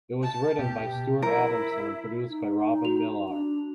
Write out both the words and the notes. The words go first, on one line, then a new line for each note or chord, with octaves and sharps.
It was written by Stuart Adamson and produced by Robin Millar.
A5
B2 G4
E4 A#4
D#4
F#4 F7
D4